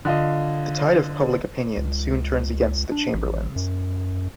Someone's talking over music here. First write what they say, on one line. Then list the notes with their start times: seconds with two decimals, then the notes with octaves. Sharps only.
The tide of public opinion soon turns against the Chamberlains.
0.05 D3 F4 D#5
1.77 C#2
2.92 D4
3.14 A1
3.56 F#2